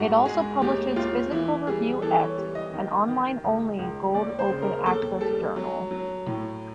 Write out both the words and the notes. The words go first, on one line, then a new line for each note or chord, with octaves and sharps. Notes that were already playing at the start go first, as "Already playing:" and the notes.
It also publishes "Physical Review X", an online-only gold open access journal.
Already playing: G#2 F#4
G#3 G#4
D#2 G4
D#2 F4
E3 E4
G3 G#4
E3 A4
C#5
G3
D#5
D#3
D#3
C#2
C#2
D#2 D5
C5
C#3
A#4
D#2 A4
G3 A4
F#3
F#3
A2